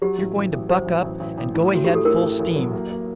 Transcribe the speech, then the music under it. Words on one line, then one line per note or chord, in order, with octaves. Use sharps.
You're going to buck up and go ahead full steam.
F#3 G4
A1
A1
A1
F#3 C5
A1
A1
A1
A1
A2
A2 F#4
A2 G4
A4
A2 A#4
A2
A1
F#3
A#3
A#3